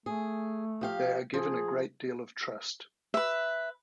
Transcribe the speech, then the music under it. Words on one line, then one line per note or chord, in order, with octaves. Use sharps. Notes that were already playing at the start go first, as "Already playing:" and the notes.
They are given a great deal of trust.
A3 G#4
F3 G4 F5
F3 G#4
B4 E5